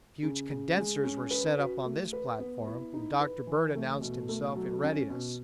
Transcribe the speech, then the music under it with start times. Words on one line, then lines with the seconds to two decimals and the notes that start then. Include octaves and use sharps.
Huge condensers were set up on this platform, and Dr. Bird announced himself in readiness.
0.23 C#3
0.50 C#3
0.76 G#3
1.03 C#4
1.31 B4
1.58 F#4
1.85 A3
2.13 B4
2.39 B3
2.67 E4
2.94 D#4
3.20 B4
3.47 E3
3.75 A3
4.01 B2
4.29 A3
4.56 F#3
4.82 C#4
5.10 B2